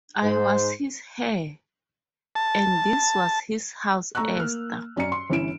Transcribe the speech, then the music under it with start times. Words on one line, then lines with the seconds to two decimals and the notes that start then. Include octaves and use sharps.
I was his heir, and this was his house, Esther.
0.23 G#2 C5
2.35 A5
4.15 A3 A#5 C#6 E6 F#6
4.37 A#3 F6
4.96 F#2 C#4 D5 A#5 C#7
5.12 C6
5.30 G1 E3 C#4 E4 D7 E7